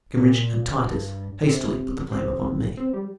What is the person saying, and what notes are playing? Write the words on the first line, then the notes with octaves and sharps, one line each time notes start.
Breckenridge and Titus hastily put the blame upon me.
A#2
G2
C3
C4
C4
G3